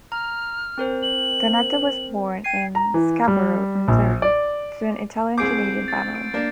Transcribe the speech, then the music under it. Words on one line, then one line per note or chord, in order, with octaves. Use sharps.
Donato was born in Scarborough, Ontario, to an Italian Canadian family.
A#5 F6
C4 A#4 C5
F#7
G5 G#6 C7 D#7
A#5
E3
G3
A#1
D5
C2 G#4 D6 G6 C7 D7
A6
D7
A#3 D4